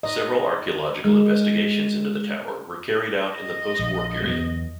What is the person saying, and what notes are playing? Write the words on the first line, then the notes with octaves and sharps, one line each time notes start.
Several archaeological investigations into the tower were carried out in the post war period.
D#5
G#3
D#5
A#1 F3
E2 F#3 B3